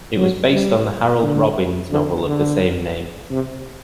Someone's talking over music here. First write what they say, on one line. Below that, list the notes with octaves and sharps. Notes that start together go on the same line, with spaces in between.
It was based on the Harold Robbins novel of the same name.
F#3
G3
D3
D3
D3
C3